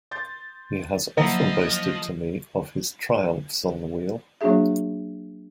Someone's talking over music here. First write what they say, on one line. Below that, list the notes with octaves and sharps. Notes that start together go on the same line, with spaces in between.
He has often boasted to me of his triumphs on the wheel.
C6 G6 A6
F3 F#3 A#3 E4 C5 D#5
F#3 A#3 D4 F#4 G#4 E5